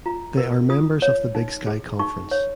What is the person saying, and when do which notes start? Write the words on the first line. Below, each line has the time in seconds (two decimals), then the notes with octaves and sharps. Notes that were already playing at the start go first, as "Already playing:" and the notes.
They are members of the Big Sky Conference.
0.06 F4 A#5
0.37 A#4
0.70 F4 D#6
1.02 C#5
1.35 D#4
1.67 G#4
1.99 D#4 C#6
2.31 C#5